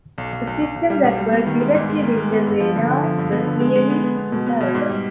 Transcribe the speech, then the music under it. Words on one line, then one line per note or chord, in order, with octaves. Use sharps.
A system that worked directly with the radar was clearly desirable.
B1
B1
B1
B1
B1
G3
B1
G3
B3
D#3
G#3
G#2
G#3
D#3
G#3
B3
G2
F3
D3
D3
F3
G2
B3
D3
G#3
G#3
B3
B3
B3
B2
B3
B2
G#2
G3